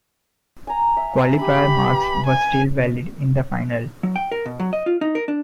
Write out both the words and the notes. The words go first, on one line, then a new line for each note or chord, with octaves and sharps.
Qualifier marks were still valid in the final.
G#5 A#5
E5
G4 B5
B4
G#5
F#3
G5
A#4
B2
F#3
D#5
F4
D#4
A#4
D4